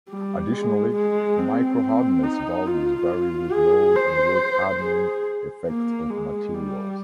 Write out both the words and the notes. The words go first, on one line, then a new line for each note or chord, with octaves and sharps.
Additionally, microhardness values vary with load and work-hardening effects of materials.
G3
G#3
G#3
C4
D#4
F4
G#4
C5
G#4
A#3
G#3
G3